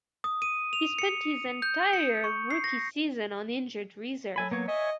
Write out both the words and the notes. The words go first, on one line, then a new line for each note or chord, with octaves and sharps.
He spent his entire rookie season on injured reserve.
D#6
D#7
F7
C#7
G6
C#7
C#6
C7
A#6
F#3 A4 G#5 B5
A#3 B3 C#5
C#5 D#5 E5 G#5